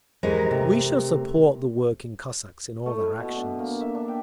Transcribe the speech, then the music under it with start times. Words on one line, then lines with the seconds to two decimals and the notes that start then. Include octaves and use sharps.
We shall support the working Cossacks in all their actions....
0.23 E2 G#3 E4 G4 A#4 C5 A#5
0.51 C3 A3
2.86 A3
3.00 E4
3.20 B2
3.37 D4
3.59 A#3
3.81 E5
3.95 D4
4.08 G5